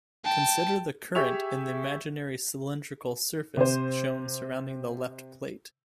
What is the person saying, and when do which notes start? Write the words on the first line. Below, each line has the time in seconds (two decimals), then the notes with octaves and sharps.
Consider the current in the imaginary cylindrical surface shown surrounding the left plate.
0.24 G5 A5
1.15 G4 G#4 E5 C#6 F7
3.57 C3 C5